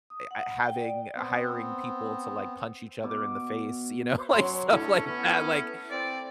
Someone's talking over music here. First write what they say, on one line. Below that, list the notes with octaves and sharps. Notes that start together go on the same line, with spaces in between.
eh, uh, having hiring people to, like, punch each other in the face, you know, like, stuff like that, like,
D#6
F#5
G5
D5
B3 C4
B2 D6
F#3 C#4 C6
D3 A3 C#4 E4 A4
B3 C#4
C4 D5